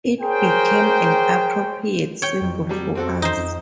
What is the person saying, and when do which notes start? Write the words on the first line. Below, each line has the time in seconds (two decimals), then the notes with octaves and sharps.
It became an appropriate symbol for us.
0.21 G#4 A#4 C5 C#5 G5
2.22 C#5 G5
2.42 F2
2.69 F#3 G3
2.95 C4 F#4 A4
3.22 D#4 C5
3.37 F2